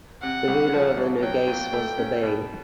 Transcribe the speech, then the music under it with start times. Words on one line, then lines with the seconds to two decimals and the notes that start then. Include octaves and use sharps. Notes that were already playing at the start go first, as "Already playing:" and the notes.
The ruler of the Nogais was the Bey.
0.22 C3 F#5
0.48 C2
0.73 F3
0.97 C2
1.23 F#3 G5
1.48 A#2
1.73 A3
1.98 C#4
2.23 B2